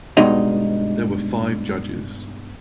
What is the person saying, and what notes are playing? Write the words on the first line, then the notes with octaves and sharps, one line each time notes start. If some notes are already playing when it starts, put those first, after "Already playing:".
There were five judges.
G2 B2 G#3 D#4 D#5